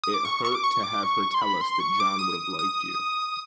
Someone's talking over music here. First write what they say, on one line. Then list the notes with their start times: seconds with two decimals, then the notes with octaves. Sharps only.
It hurt to have her tell us that John would have liked you.
0.04 D#6
0.14 D6
0.25 C#6
0.45 C#6
0.55 D6
0.64 C#6
0.83 D6
1.03 C#6
1.34 C6
1.41 B5
1.61 C6
1.80 C#6
2.00 D6
2.19 D#6
2.59 D#6